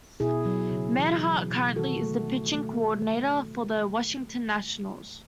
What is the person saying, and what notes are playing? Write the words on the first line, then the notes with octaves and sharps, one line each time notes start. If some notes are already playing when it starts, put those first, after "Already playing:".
Menhart currently is the pitching coordinator for the Washington Nationals.
B2 E4 G#4
F#3
C#3
E3
F#3
B2
D#3 F#4 A4
A3
A3
A3